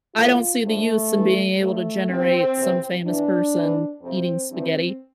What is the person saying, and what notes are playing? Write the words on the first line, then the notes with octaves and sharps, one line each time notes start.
I don't see the use in being able to generate some famous person eating spaghetti
A2 E3 F4
G2 F3 A3
G2 E3
G2 F3 A3
E2 C3 F3 C4
E2 C3 E3
E2 E3 D4
E2 C3 E3
F2 C3 F3 C4
G2 E3 C4